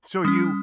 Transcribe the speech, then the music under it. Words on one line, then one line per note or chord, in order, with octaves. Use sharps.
So, you,
G3 C#4 D#6